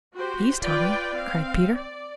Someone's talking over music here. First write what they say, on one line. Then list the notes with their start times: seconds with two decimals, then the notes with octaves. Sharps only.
"Please, Tommy," cried Peter.
0.14 F#4 G4 C5
0.60 F4 B4 D5 G5
1.16 C4 F5
1.73 D5